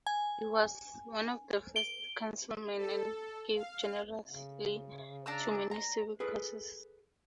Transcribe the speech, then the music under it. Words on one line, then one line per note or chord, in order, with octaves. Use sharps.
He was one of the first "councilmen" and gave generously to many civic causes.
G#5
D7 G7
A4
F5
C#3
D4 A#5 E6
A#5
G#4 A4 B4